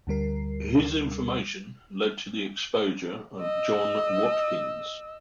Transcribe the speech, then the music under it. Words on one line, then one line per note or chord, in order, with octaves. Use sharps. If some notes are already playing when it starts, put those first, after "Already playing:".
His information led to the exposure of John Watkins.
D2 D3 G3 A#4 C7
D#5 E6